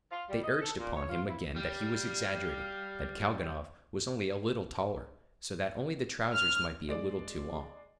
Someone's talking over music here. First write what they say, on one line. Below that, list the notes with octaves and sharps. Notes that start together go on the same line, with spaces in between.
They urged upon him again that he was exaggerating, that Kalganov was only a little taller, so that only the trousers might be a little too long.
F4
G3
D#5
A4
A#2
C#5
F4
E4
G3 F5
F6
G#3 D5 D7